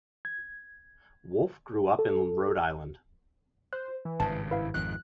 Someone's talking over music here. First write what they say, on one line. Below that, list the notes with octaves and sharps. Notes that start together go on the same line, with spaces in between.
Wolf grew up in Rhode Island.
G#6
A4
C5 F#6
E3
G#1 G2 C#3 A5
E4 B4 F5
G#1 F2 D#3 F#6